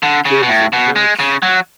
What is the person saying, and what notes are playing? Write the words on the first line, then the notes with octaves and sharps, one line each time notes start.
kids and pets,
D3
C#3
B2
A2
B2
G#3
C#3
F#3